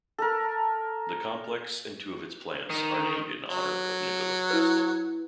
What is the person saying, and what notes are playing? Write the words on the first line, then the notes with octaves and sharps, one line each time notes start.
The complex and two of its plants are named in honor of Nikola Tesla.
A4 A#4
D#3
F#3
E4 B4